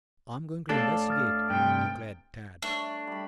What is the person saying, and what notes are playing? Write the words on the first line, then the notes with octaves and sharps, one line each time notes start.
"I'm going to investigate," declared Tad.
A2 D4 A4 D5 F5
D#6 F6 A6
G2 C3 G5
A3 D4 A4 C#5
G3 B5